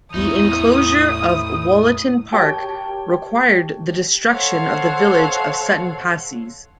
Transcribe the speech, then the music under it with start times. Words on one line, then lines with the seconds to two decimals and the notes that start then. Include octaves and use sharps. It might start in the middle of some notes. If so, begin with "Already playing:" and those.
The enclosure of Wollaton Park required the destruction of the village of Sutton Passeys.
0.14 E2 A2 C4 D#4 E4 D#6
2.32 G4 A#4 C#5 G5 A5
4.26 A4 C5 C#5 F5 F#5